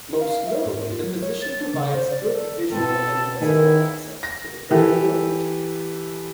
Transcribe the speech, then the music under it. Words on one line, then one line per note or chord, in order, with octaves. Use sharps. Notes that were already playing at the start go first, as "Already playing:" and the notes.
Most notably the position provides good visual and physical access to the perineal region.
F5
E5
G#2
F4
F#3
C#5
A6
D4
C#3
C5
D5
A4
B2 B3 C4 A4
D#3 B3 D#4 E4 G#4
A#6
E3 G4 A4